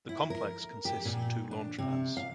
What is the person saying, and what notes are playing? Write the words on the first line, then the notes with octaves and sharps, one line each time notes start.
The complex consists of two launch pads.
E4
A#4
G4
A#2
D4
C3
F5